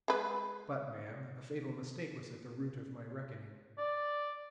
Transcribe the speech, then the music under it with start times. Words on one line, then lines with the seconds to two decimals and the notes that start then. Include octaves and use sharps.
But, ma'am, a fatal mistake was at the root of my reckoning.
0.08 G#3 B4
3.78 D5